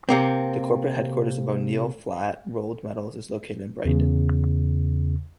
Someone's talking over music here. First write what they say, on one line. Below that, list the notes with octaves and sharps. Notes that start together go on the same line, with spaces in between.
The corporate headquarters of O'Neal Flat Rolled Metals is located in Brighton.
C3 A#3 C4
E2 C#3